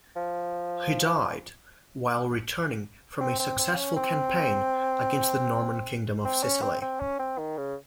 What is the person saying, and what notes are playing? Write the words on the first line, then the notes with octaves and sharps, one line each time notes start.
He died while returning from a successful campaign against the Norman Kingdom of Sicily.
F3
C4
C4
C4
C#4
C4
C4
C#4
C4
C4
C#4
C4
D#3
C#3